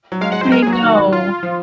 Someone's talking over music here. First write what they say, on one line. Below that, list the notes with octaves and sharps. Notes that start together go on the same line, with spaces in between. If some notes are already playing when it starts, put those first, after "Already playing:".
I know.
F#3
G#3 F5
G#3 F#5
F#3 C5
G#3 A#4
G#4
F#3
F#4
D#3
F4
F3